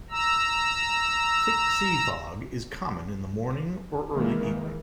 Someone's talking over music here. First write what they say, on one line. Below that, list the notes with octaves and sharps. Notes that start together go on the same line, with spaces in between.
Thick sea fog is common in the morning or early evening.
A#5 E6
D#3 E3 G#3 A#3